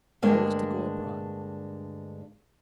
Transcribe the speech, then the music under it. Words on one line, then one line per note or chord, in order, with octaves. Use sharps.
I was to go abroad.
D2 G2 G#3 A#3 D4